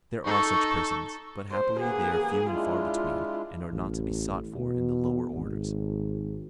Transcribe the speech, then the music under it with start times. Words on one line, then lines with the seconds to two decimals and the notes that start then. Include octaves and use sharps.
There are such persons, but happily they are few and far between, and are not to be sought for in the lower orders.
0.24 D#4 A4 C#6
1.51 C5
1.80 A#3 G#4 B4 F#5
2.52 G#3 D4 E4 F4
3.71 A1
4.56 B2
5.36 G#1